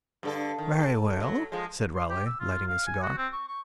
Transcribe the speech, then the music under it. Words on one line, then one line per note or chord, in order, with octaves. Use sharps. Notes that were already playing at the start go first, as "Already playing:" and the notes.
"Very well," said Raleigh, lighting a cigar.
G2 D3 A4
D#3
A4
F#3
F3 G#3
C6
G4
E6
F4
F5
G#5
F#4
C4
C#6
C#6